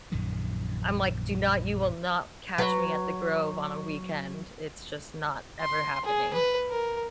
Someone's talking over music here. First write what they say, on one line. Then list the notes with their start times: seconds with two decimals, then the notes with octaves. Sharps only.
I'm like, "Do not" you will not catch me at the Grove on a weekend, it's just not ever happening.
0.12 A#1 F#2 D#3 F3
2.58 F#3 B4
5.61 C6
6.05 G#4
6.33 B4
6.69 A#4